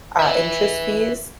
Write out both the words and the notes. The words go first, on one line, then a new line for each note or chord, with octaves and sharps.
uh, interest fees,
B4 E5